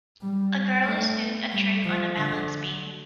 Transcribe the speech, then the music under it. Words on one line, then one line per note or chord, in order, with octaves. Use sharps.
A girl is doing a trick on a balance beam.
G3
A3
G3
F3
D3